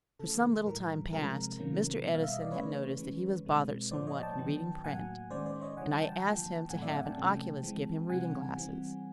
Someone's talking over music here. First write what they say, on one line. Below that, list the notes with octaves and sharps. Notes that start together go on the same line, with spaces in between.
For some little time past Mr. Edison had noticed that he was bothered somewhat in reading print, and I asked him to have an oculist give him reading-glasses.
C#3 E3 A3 A4
A2 E3 G3 A#4
C3 F3 G#3 C4 A#4
C3 D#3 F#3 A#3 C#4
B2 G3 B3
F5
E5
D#5
D5
C#3 E3 A3 C#4 B4 C#5
E3 G#3 C#4
B2 G#3 C4
A2 F3 A#3 C5 D5
C#5 D#5
G5 A5
D#3 F#3 B3
A2 F#3 A#3 F#5 G#5
D#3 G#3 C#4 C5 D5
C5 D5
C#5 D#5
C#3 E3 G3 F#5 G#5
G5 A5
G5 A5
D3 F3 A#3
A2 F#3 A3 C4 F#5 G#5
D5 E5
F#5 G#5
G5 A5
C3 F3 A3 C#4
E3 G#3 C4
C3 E3 G3 C4 F#5 G#5
E3 G3 C4